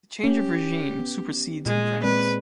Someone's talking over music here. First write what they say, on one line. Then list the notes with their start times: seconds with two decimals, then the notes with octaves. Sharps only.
The change of regime supersedes in France.
0.24 C#4 G4
0.99 B3
1.66 A#2 G#3
2.03 G#3 C4 B4 D5